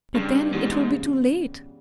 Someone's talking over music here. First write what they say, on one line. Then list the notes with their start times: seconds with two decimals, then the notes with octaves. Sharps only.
But then it will be too late!
0.15 G2 C#3
0.52 G#2 E3 G3 B3
0.90 C#3